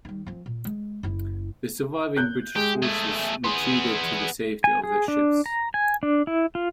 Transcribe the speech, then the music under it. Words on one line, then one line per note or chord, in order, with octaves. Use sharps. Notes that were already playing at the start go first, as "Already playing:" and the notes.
The surviving British forces retreated to the safety of their ships.
D#3 G3
F3 C4
A#2
G#3
F#1 E4
F#6 G6
G#3 G4
A3 G#4
B3 G#4 C6
G#5
G#4
D4
A#5
G#5
D4
E4
F4